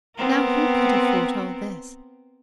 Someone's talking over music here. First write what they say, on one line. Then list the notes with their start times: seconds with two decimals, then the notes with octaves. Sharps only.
Now who could have foretold this?
0.17 B3 C4 A#4